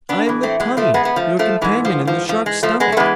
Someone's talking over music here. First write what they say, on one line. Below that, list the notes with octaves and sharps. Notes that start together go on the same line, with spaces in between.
"I am the Tunny, your companion in the Shark's stomach."
B3 D4
A2 E3
A3 C4
G#3 B3
F3 A3
G#3 B3
B3
F3 A3
F3 A3
G#2 E3 G#3
F3
F3
F3
G#3
F3 A3
G#3 B3
A3
E3 G#3 B3